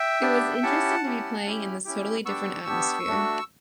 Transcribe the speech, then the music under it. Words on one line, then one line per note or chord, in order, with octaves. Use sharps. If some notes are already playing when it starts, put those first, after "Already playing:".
It was interesting to be playing in this totally different atmosphere.
Already playing: E5 G5
B3 D4 G4
C#4 E4 G4 F#5 A5
C#4 E4 G4
C#4 E4 G4
C#4 E4 G4
B3 D4 G4 C#6 E6
B3 D4 G4
A3 D4 F#4